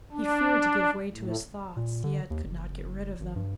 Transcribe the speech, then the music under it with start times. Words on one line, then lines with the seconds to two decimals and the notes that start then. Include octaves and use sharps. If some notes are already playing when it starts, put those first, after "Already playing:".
He feared to give way to his thoughts, yet could not get rid of them.
0.12 D4
1.13 A2
1.77 A#2
2.04 D3
2.30 D#2
2.44 F#1
3.20 G#1
3.36 G2